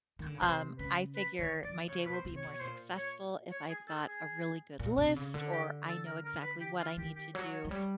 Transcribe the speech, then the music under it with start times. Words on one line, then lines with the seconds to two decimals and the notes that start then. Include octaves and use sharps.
um, I figure my day will be more successful if I've got a really good list or I know exactly what I need to do
0.19 D#3
0.26 D3
0.35 C#3
0.42 C3 C5
0.79 C#3 B4
1.16 B4
1.39 D#3 C#5
1.63 D#3 D5
1.88 C#3 C#5
2.06 B2 B4
2.13 C5
2.25 C3
2.37 C#5
2.43 B2
2.53 C#5
2.60 A#2 C5
2.97 C#5
3.51 C#5
3.70 G#4
3.88 A4
4.07 G#4
4.80 A#2
4.98 C3
5.16 C#3
5.34 D3
5.52 G4
5.88 A4
6.06 A#4
6.24 A#4
6.43 B4
6.61 G4
6.79 F4
6.97 D#3 G4
7.16 G4
7.34 F#3 C#5
7.53 C#5
7.65 F#3
7.70 G3 C#5